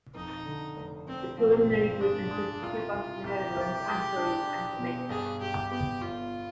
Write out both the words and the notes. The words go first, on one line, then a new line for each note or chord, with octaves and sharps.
The preliminary group included Cuba, the Netherlands Antilles, and Jamaica.
F2 D#4
D3
F1
F1 C4
F3 C4
G2
G#3 D4
G#3
C2 F4
C2
C2 G4
C2
G#3
D4
D4
B2
G2 G#4
G2 G4
B3 G4
G1 F4